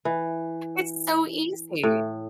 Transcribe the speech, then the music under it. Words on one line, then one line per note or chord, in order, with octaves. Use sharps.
it's so easy.
E3
A2